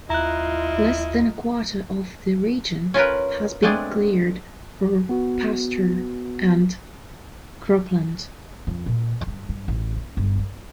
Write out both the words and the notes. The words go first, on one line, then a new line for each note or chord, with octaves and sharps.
Less than a quarter of the region has been cleared for pasture and cropland.
D#2 E4 F4 D#5 A#5 F#6
C#4 F4 A#4 B4
G#3 A3 B3 C4 D4 G#4
B3 F#4
F2
A#2
G2
G2
A1
C#4
G1
A#3